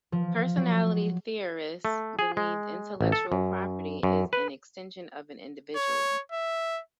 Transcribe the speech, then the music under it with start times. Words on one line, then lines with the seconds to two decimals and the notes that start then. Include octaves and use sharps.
Personality theorists believe intellectual property is an extension of an individual.
0.12 F3
0.57 F#3
1.85 A3
2.19 G#4
2.37 G#3
3.01 A1
3.12 A4
3.32 F#2
4.03 F#2
4.33 B4
5.76 C#5
6.32 E5